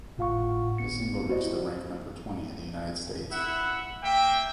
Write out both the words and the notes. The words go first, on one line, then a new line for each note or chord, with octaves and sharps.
The single reached the rank number twenty in the United States.
G#1 A2 F4 F5 F#5 C#6
G1 B3 C#7
E4 F#4 G4 C5 D5 D#5
E4 E5 F#5
A#3 E5 G5